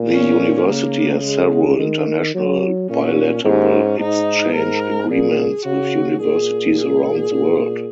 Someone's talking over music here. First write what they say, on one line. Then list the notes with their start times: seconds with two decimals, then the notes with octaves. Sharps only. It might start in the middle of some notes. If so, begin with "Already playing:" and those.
The university has several international bilateral exchange agreements with Universities around the world.
Already playing: A#2
0.13 C#4
0.69 C#3 A#3
1.23 G#3
1.79 D#3
2.35 F#3
2.90 A#2 C#4
3.44 G#2 C#4
4.00 G#2 D#4
4.55 G#2 A#4
5.10 A#2 G#4
5.65 C#3 F#4
6.20 A#2 G#4
6.75 G#4
7.31 A#2